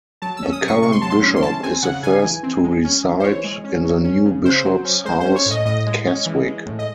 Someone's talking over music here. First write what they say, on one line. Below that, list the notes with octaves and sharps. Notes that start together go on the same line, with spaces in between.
The current bishop is the first to reside in the new Bishop's House, Keswick.
F#3 A5
E6
C#4
D#6
C3
C#6
C3 C#6
C6
F#3 A5
C6
C#4
C6
E3 A5
C4 G#5
C#3 F#5
C#3 G#5
E3
C4
G#3
C#4
E3
C5
E3 C#5
G#3
C#4
F#3
C#4
C#3
C#3 C5
F#3
C#4
G#3 C5
C#4 C5
C#5
A2 D#5
A2 D#5
G#3
C#4
E3
G#3
A2
D#5